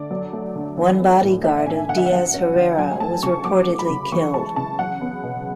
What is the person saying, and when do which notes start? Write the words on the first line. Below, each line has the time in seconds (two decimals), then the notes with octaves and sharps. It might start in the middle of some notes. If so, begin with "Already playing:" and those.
One body guard of Diaz Herrera was reportedly killed.
Already playing: D3 A3 D5
0.11 F#3
0.33 A3
0.56 D3
0.78 E3
1.00 B3
1.22 A2
1.44 A3 E5
1.66 D4 G#5
1.89 D3 F#5
1.97 E5
2.06 F#5
2.11 F#3
2.34 C#4
2.56 D3
2.78 F#3 G#5
3.00 A3 A5
3.23 C#3 C#6
3.45 F#3 D6
3.68 A3
3.79 B5
3.90 C#3
4.12 E3 C#6
4.34 G#3 A5
4.56 C#3 A5
4.79 F#3 F#5
5.01 B3
5.23 B2